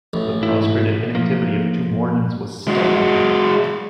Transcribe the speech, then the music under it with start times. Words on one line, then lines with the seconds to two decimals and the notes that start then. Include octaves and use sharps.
The prostrated inactivity of two mornings was stifling him.
0.13 A1
0.43 G#2 E4
1.15 F3 A#3
2.68 G#3 F#4